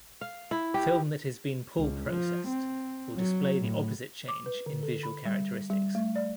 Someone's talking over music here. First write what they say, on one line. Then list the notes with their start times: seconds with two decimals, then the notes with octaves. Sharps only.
Film that has been pull processed will display the opposite change in visual characteristics.
0.21 F5
0.51 E4
0.74 G4
1.78 C#2
2.09 F3
2.48 C4
3.17 F#3
3.60 A2
4.28 D6
4.46 B4
4.66 D3
4.83 A4
5.03 B5
5.25 G3
5.70 G3
5.95 A3
6.16 D5